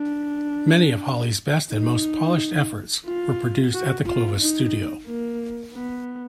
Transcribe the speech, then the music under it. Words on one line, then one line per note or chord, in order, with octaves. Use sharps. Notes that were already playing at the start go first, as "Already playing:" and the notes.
Many of Holly's best and most polished efforts were produced at the Clovis studio.
Already playing: D4
D#4
F4
F#4
F4
D#4
A#3
B3